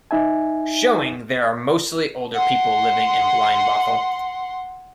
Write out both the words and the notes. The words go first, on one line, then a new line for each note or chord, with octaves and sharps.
Showing there are mostly older people living in Blindbothel.
D#4 E5 G#5
F#5 C6